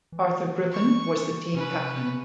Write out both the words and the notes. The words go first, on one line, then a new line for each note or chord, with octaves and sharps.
Arthur Griffen was the team captain.
E3
C#6
C3 C#4 B4